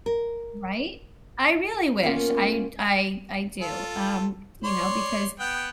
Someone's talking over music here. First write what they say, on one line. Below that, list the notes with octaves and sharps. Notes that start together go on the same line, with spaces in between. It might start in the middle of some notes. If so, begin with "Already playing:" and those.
Right? I really wish. I d I I do. Um, you know, because
A#4
A#3 B3 C#4 F4 A#4
F4 A4
C#5 D5 C6
B3 F#5 G5